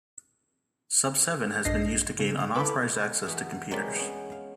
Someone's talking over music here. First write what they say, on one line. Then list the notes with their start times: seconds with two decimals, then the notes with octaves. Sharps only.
SubSeven has been used to gain unauthorized access to computers.
1.65 A#1 G2 D4 D#5 A#6 C7
2.19 C#3
2.55 E4 A4 B4 B5 D6
3.26 E2 B3 F#4
3.71 G#3 C4 A#4 B4 C#5 D5
3.96 B3 C#4
4.32 F5